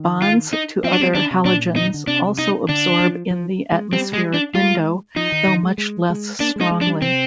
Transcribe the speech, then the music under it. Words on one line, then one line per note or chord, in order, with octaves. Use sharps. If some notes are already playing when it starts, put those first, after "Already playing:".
Bonds to other halogens also absorb in the atmospheric window, though much less strongly.
Already playing: D#3
F4
D#4
F3 C4
D4
G3 C4
D#3 D4
C3
A#2 D4
D#3 D#4
D3
C3 D4
D#4
D3 D4
F3
F3
G#3
G3 C4
G#3
D4
G#3 F4
F3 D#4
D#3
D#3
G#3
G#3
G#3
A#3 D4
G#3 D#4
G#3
D4
G3
C3 C4